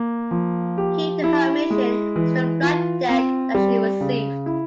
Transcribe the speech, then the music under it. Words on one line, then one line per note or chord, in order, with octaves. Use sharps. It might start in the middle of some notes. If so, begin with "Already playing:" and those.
Key to her mission was the flight deck that she received.
Already playing: A#3
F3
G4
E4
G#3
E3
F4
C4
G3
C#3
E4